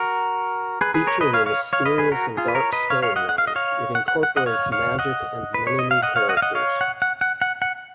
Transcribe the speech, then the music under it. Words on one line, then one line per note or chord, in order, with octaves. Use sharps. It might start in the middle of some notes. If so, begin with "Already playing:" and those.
Featuring a mysterious and dark storyline, it incorporates magic and many new characters.
Already playing: F#4 A#4
G#4 B4
G#4 B4
A#4 C#5
B4 D#5
C#5 F5
C#5 F5
C#5 F5
B4 D#5
G#4 B4
F#4 A#4
F4 G#4
B4
A#4 C#5
B4 D#5
C#5 F5
C#5 F5
D#5 F#5
F#5
F5
D#5
C#5 F5
F#5
F#5
F#5
D#5 F#5
C#5 F5
C#5 F5
D#5 F#5
B4
C#5
D#5
F5
D#5 F#5
C#5 F5
D#5 F#5
F5
D#5 F#5
C#5 F5
F#5
F#5
F#5
F#5
F#5